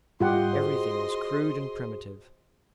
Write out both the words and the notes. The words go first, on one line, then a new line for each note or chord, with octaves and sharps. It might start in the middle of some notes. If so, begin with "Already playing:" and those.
Everything was crude and primitive.
G#2 G3 F4 G4 D#5 F#5 C6
F#4 G#4 C5